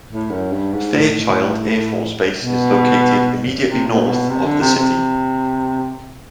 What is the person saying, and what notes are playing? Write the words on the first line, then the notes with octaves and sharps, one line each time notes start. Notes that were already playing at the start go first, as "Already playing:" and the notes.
Fairchild Air Force Base is located immediately north of the city.
A2
F#2
G2
G#2
A2
B2
C3
A#2
B2
C3
D3
C3
C3